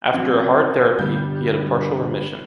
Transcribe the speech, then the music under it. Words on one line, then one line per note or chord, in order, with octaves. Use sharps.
After a hard therapy, he had a partial remission.
A1 F#3 C4
G2 D3 G3 B3 G6